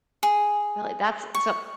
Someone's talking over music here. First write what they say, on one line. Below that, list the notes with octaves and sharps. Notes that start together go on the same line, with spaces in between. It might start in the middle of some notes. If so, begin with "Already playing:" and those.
Really? That's so
G#4
C#6